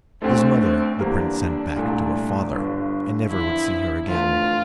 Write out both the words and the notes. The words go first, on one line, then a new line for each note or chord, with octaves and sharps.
His mother the prince sent back to her father, and never would see her again.
D2 D3 A3 C4
C4
E2 D3 G3 A#3 D4
C2 A#2 A3
G1 G2 D3
E2 D3 F3 E4
F1 E2 D3 A3 F4